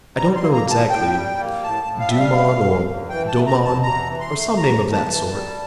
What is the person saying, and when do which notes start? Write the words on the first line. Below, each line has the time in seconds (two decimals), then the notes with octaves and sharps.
"I don't know exactly; Dumont, or Daumont, or some name of that sort."
0.16 G3 A#5
0.35 C6
0.41 A#3
0.53 A#5
0.65 A2
0.71 A5
0.90 A2 G5
1.14 G3
1.39 A#3
1.63 A2 A5
1.87 A2
2.00 F5
2.09 G3 E5
2.19 F5
2.36 A3
2.60 E2
2.86 E2
3.09 E3 G5
3.28 A5
3.34 A3
3.46 A#5
3.59 E2
3.65 A5
3.83 E2 A#5
4.07 E3
4.20 C6
4.31 A3
4.56 E2 A#5
4.81 E2
4.92 A5
5.05 E3
5.30 G3